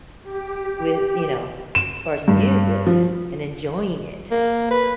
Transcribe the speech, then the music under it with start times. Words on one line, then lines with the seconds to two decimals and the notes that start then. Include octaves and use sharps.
with you know, as far as music, and enjoying it?
0.23 G4
1.75 E7
2.28 G2
2.87 F3
4.31 A#3
4.71 B4